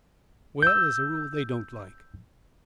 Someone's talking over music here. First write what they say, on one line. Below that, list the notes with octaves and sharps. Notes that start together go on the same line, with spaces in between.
"Well, as a rule they don't like."
E6 G6